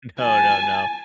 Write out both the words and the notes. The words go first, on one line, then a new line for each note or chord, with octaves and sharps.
no, no, no.
G#5 A5